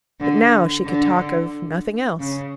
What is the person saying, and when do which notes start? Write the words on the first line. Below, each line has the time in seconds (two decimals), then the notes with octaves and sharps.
But now she could talk of nothing else.
0.21 D3
0.86 D3
2.20 C#3